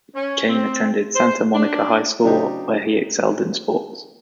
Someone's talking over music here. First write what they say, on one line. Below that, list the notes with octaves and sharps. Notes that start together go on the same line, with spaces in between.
Cain attended Santa Monica High School, where he excelled in sports.
C#4
C4
C5
D4
C#3 F#3 D4 D#4 G4 C5